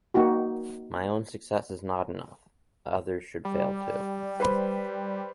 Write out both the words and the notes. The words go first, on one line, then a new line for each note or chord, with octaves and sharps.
My own success is not enough, other should fail too.
A#3 D#4 F#4 G4
G3
B4 C5 B5